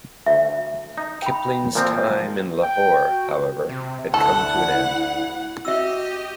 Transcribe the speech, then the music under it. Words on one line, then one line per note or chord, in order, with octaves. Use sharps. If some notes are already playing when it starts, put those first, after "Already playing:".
Kipling's time in Lahore, however, had come to an end.
D2 E5
D#4
G5 B5
A#2 F3 C4
G5
F#4
C3
D2 E4 A4 F#5
F#4 G4 D#5 E5 E6